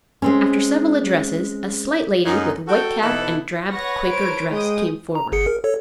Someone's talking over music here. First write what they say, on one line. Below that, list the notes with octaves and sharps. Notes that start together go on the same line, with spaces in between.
After several addresses, a slight lady, with white cap and drab Quaker dress, came forward.
G#3 C4 C#4
F#2 D#4
F#4 A4 G5
B2 E3 D#4 E4 G#4 A4
B4 C#5 F#5 C#6 A#6
A#4 C5 D7
G#3 G5 D#6
A#5
G1 G#4 C#7
A#4
A4 C#5